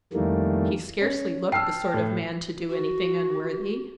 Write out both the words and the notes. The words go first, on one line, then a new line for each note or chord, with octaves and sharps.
He scarcely looked the sort of man to do anything unworthy.
F2 D#3 E3 G3 A3 A#3
C#4
G5 A5 E6 F6 C7
A2
F#4